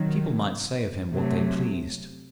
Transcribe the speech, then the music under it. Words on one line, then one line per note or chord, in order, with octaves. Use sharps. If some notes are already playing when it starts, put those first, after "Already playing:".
People might say of him what they pleased.
Already playing: C3 D#3 F#3
C3 F#3 A3